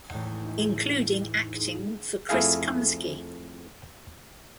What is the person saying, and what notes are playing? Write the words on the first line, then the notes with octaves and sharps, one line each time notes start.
Including acting for Chris Comesky.
E2 A2 D#4
F2 A3 E4 G#4 F5